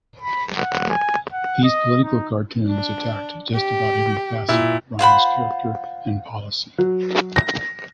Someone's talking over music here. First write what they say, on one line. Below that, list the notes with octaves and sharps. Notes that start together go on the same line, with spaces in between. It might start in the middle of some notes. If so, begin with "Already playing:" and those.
These political cartoons attacked just about every facet of Bryan's character and policy.
B5
F#5
G#5
F#5
D#5
D#4
D4
G4
A#2 E4
F4 C5 F#5 B5
F#3
A#6